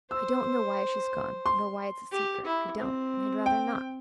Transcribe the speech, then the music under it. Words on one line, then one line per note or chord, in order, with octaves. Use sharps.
'I don't know why she's gone, nor why it's a secret--I don't, and I'd rather not.
C5 E6
C6
G4
E4
C4
G5